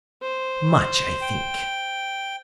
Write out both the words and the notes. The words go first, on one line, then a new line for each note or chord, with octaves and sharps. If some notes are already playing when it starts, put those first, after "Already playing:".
Much, I think.
C5
G5